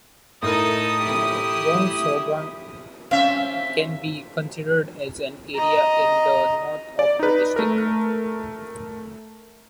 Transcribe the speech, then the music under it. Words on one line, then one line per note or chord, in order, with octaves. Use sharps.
Wong Sawang can be considered as an area in the north of the district.
A2 D#4 A4 A#4 D#6
E4 G4
C4 C#4 E5 F5
D#5 A#5
D5
D#4 B4
A3 A#4